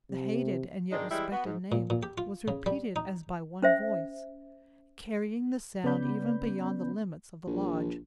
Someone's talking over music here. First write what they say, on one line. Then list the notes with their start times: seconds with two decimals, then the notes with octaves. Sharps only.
The hated and yet respected name was repeated as by one voice, carrying the sound even beyond the limits of the lodge.
0.10 C3
0.92 G#2 D#3 G#3 D4 D#4
1.11 E3 G3 G#3 E4
1.31 B3 F#4
1.45 G#2
1.72 A#2
1.90 A#2
2.03 G4
2.18 F4
2.48 C#3
2.66 G3
2.96 D#4
3.62 C#4 C5 E5
5.84 C#3 B3 C#4 D5 B5 G6
7.47 A#1